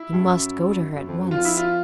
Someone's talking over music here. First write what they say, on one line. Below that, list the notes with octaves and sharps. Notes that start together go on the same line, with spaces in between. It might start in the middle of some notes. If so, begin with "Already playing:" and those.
He must go to her at once.
Already playing: E4
G2
F#2
F#2
F2
F#2
F2 F4
E4
F4